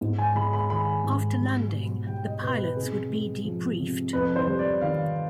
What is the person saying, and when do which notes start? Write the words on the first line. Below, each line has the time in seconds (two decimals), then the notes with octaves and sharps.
After landing, the pilots would be debriefed.
0.01 G#2
0.19 G#5
0.35 G#3 B5
0.53 B5
0.69 D#3 B5
1.04 G#2
1.39 G3
1.72 B2
2.07 G3 G5
2.25 D#5
2.41 B2 B4
2.59 B4
2.76 C3 G#4
3.10 G#3
3.44 F3
3.79 C3
4.13 F2 B4
4.36 C5
4.47 G3
4.59 D5
4.81 D#3 F5